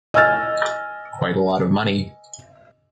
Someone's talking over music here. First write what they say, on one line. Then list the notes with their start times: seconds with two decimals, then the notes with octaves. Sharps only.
Quite a lot of money.
0.14 D#5 G#5 E6 F6 A6